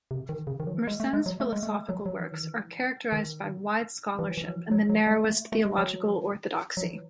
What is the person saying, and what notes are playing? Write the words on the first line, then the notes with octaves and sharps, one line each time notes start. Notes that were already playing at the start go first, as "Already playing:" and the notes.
Mersenne's philosophical works are characterized by wide scholarship and the narrowest theological orthodoxy.
C3
D#3
C#3
D#3
F#3
E3
G#3
A3
G#3
F#3
A3
G#3
A3
G#3
F#3
F#3
E3
D#3
E3
D#3
E3
F#3
E3
F#3
E3
F#3
F#3
G#3
A3
A3
G#3
F#3
F#3
E3